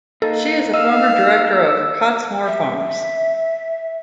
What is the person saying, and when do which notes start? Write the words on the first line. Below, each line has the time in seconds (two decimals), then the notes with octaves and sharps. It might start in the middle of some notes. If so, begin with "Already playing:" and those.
She is a former director of Cottesmore Farms.
0.22 A#3 D#4 A4
0.74 D#5 F5 E6
2.46 E5